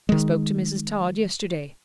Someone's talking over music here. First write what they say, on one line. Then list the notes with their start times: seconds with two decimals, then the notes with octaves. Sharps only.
I spoke to Mrs. Tod yesterday.
0.09 D#3 G#3